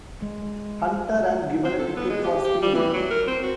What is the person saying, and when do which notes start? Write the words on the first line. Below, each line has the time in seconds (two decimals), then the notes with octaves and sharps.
Hunter and given a ticket for speeding.
0.22 G#3
1.64 C4
1.79 A4
1.96 B3
2.09 G#3
2.24 G4
2.44 G4
2.62 G3
2.74 E3
2.93 F#3
3.11 A#4
3.27 C4
3.43 F#4